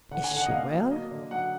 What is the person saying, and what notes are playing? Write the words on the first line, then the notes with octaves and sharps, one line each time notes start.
Is she well?
D3 F#5
G#5
D3
F#5
D#5
A#3 F5
F#3
A#3 D#5
D3
F#3 F#5